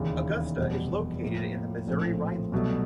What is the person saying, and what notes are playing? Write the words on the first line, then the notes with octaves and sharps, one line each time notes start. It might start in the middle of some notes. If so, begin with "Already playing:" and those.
Augusta is located in the Missouri Rhineland.
Already playing: E1 D#2 C#3 E3
F1 E2 B2 G3 B3
A2 F3 A#3
A#1 A2 F3 A3 C4
C2 B2 F#3 A3